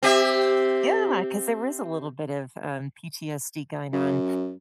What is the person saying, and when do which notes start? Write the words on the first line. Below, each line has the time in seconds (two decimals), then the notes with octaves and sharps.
yeah, 'cause there was a little bit of, um, PTSD going on.
0.03 C4 G4 E5
3.93 F#2